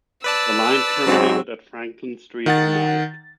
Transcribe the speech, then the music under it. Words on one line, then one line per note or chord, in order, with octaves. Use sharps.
The line terminated at Franklin Street in Nyack.
B4 D5 A5 E6
G#2 F#3 C4
D#3 F#5 A6